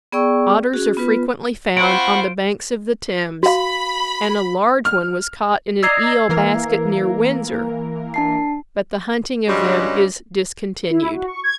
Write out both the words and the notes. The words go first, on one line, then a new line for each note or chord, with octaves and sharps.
Otters are frequently found on the banks of the Thames, and a large one was caught in an eel-basket, near Windsor, but the hunting of them is discontinued.
B3 G#4 D5 G5 C#6 E6
C#4 F#4 G#4
B3 F4 B4
C4 F4 C5 F#5 B5 C#6 D7
F#4 F5 B5
F6
D5 D#5 A#5 E6 G#6 C7
E3 A#3 A#4
D4 A5 C7
G2 C#3 G3 G#3 C#4 F#4
E4
F#4
C#6
G#6